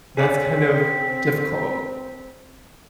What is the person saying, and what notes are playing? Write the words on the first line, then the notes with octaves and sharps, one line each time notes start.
that's kind of difficult.
C4 G#4 C#5 D5 B6